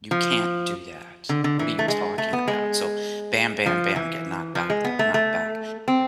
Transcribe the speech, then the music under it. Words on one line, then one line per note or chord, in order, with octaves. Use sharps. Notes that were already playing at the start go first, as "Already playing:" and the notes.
you can't do that. What are you talking about? So bam, bam, bam, get knocked back, d knocked back,
F3
D3
D3
E3
A3
G#3
A3
B3
G#3
F3
E3
F3
G#3
B3
A3
A3
C4